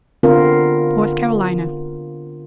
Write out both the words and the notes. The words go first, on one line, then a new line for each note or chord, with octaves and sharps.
North Carolina.
D3 B3 C4 F4 A#4